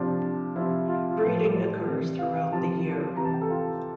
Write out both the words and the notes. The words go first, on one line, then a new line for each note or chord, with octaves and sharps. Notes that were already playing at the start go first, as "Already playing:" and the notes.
Breeding occurs throughout the year.
Already playing: C3 F3 D4
C3 F3 E4
F4
F4
A2 F3 E4
G4
D5
C3 E3
F5
F5
C3 F3 A5
C3 E3 A#5
A5
G5
A4
F4